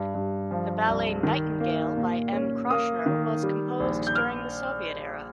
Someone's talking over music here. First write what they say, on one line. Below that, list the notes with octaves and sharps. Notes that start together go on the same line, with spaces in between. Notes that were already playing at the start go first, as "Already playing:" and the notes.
The ballet "Nightingale" by M. Kroshner was composed during the Soviet era.
Already playing: G2
G2
F3
C2
D#3
A#3
A#2
C#4
A#3 D#6
D#3
G3
A#1
G6
F6